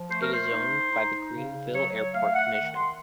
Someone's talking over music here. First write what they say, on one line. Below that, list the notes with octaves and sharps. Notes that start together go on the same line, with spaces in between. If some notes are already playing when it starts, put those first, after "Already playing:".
It is owned by the Greenville Airport Commission.
Already playing: F3
A3 C5
A#4
C5
D#4
D#4
C#3
F#3 C#5
C#5
A3 F5
F#5
D#3 F#5
C6